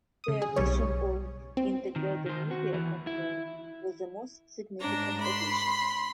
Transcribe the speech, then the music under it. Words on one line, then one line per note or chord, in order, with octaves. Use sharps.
The addition of integrated media control was the most significant addition.
C#3 D#6
G#4
B1 G3 C#5
C4
D#3
D#3 C5
F#4
D#2 E3
E4
G#2 D4 A#5
B5 C6